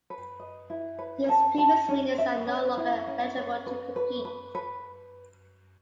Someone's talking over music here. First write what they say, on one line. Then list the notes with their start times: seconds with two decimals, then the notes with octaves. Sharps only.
These previous winners are no longer eligible to compete.
0.10 B4
0.40 D#5
0.70 E4
0.99 B4
1.29 A5
1.58 A5
1.89 C#4
2.18 E5
2.47 C#4
2.77 E4
3.07 C#4
3.37 C#4
3.66 B4
3.96 B4
4.25 B4
4.55 B4